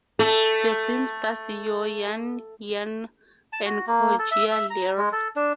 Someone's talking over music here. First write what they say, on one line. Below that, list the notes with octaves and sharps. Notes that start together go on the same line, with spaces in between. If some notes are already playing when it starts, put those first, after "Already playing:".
The film stars Yeo Yann Yann and Koh Jia Ler.
A3 A4
A5
F#4
A#3
A4
E5
E5
A#5
G#3
A4
D4